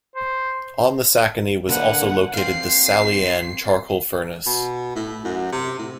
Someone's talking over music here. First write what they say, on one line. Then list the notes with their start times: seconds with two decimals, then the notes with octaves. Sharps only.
On the Sacony was also located the "Sally Ann" charcoal furnace.
0.16 C5
1.69 D3 A#3 B4 F#5
2.34 C4 F5 C7
4.46 B2
4.96 A2
5.25 F#2
5.52 C3
5.79 A2